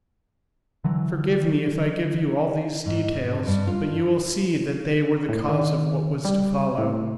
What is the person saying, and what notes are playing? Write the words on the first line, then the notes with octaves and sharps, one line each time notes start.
Forgive me if I give you all these details, but you will see that they were the cause of what was to follow.
D3 E3 F#3
G#2
D3
G2
F4
A2
D#3
G3
A2